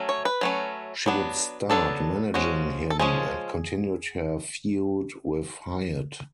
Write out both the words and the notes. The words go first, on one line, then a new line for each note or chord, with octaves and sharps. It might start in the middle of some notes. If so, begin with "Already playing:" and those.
She would start managing him and continued her feud with Hyatt.
Already playing: F#3 A3 C#4
C#5
B4
F#3 A3 C#4
F#3 B3 D4
F#3 B3 D4 A4
F3 G#3 C#4 F#4
A4
F3 G#3 C#4 G#4